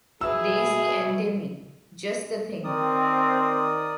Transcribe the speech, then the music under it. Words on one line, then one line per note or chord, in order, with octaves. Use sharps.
Daisy and Demi, — just the thing!
F#4 G#4 B4 E5 E6
D#3 C4 A#4 D5 D#6